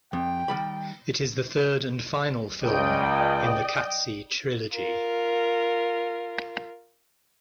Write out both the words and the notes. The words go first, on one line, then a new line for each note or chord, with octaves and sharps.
It is the third and final film in the Qatsi trilogy.
F2 G5
D#3 G3 B5
C#2 D5 D#5 G5
F4 A#4